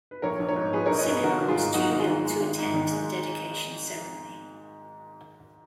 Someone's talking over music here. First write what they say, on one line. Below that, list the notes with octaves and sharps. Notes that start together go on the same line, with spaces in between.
Simenon was too ill to attend the dedication ceremony.
B4
A#1 A#4 C#5
A#1
A#4 C#5
G#2
F3 G#4 B4
A#1 A#4 C#5
B4 D#5
A#1
G#4 B4
G#1 F#4 A#4
G#1
F4 G#4
G#2
F#3 D#4 F#4
G#1
F4 G#4
G#1
G#3
G#1
G#2
D#3
G#3